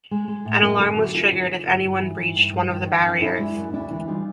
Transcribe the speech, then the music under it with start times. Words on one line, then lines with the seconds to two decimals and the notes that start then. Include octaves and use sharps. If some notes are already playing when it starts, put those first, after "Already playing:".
An alarm was triggered if anyone breached one of the barriers.
0.11 G#3
0.28 G#3
0.45 A2
0.62 F#2 G#4 A#4
0.80 D3 G4 A4
0.97 F#3 E4 F#4
1.14 F#2 D#4 F4
1.32 D3
1.49 D3
1.66 G2
1.84 G2
2.00 E3
2.18 G2
2.35 G2
2.52 G2
2.70 D#3
2.87 D#3
3.04 F#2
3.21 F#2 D4 E4
3.39 G#3
3.56 F#2
3.73 D2 D4 E4
3.91 E3
4.08 G3 D#4 F4